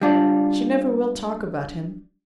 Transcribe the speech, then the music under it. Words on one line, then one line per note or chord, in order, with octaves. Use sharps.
She never will talk about him.
G3 D4 F4